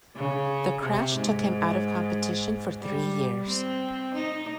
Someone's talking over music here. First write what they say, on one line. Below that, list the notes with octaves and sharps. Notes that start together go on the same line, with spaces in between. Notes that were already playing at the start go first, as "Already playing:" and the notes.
The crash took him out of competition for three years.
C#3
C3
G#2
G3
C4
D#4